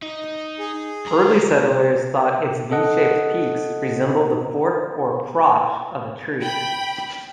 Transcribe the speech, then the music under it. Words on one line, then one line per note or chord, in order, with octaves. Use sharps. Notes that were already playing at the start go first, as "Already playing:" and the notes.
Early settlers thought its V-shaped peaks resembled the fork or "crotch" of a tree.
D#4
G#4
C#2 A#5
A4 D#5 F#5
G5 B5